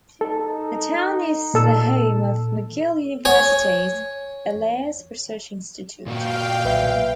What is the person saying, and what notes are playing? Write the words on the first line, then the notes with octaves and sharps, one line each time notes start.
The town is the home of McGill University's Bellairs Research Institute.
D#4 A4
A#2 A4 E6
C#5 G#5
A#2 A#3 F#4 F5 G5
B1 B4 E5